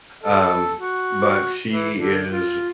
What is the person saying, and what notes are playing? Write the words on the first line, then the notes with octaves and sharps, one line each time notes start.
um, but she is
A4
F#4
E3
D3
F4